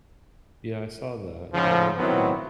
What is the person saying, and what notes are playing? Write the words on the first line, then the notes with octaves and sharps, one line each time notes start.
Yeah, I saw that. Yeah, I mean
G#2 C#3 F3
D#3 F#3 B3 C4 E4